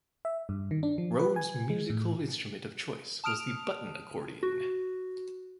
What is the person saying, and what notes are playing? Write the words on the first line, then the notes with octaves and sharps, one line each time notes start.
Rhodes musical instrument of choice was the button accordion.
E5
G2
D#3
D4
F3
B4
G#5
G#3
A2
A5 D#6 F6 D7 F7
F#4